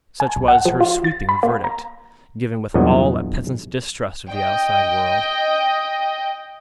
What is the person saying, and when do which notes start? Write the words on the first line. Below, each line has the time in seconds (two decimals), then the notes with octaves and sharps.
Such was her sweeping verdict, given with all a peasant’s distrust of the outside world.
0.20 G#5
0.36 B1
0.48 F#5
0.65 F3
0.80 F4
1.04 A6
1.29 B5
1.43 A#3
1.64 A#5
2.74 E2 G2 A#2 F3 F#3 D#5
4.29 D#5 G5